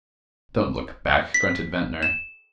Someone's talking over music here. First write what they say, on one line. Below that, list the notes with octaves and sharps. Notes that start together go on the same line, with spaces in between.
"Don't look back," grunted Ventnor.
B6
E7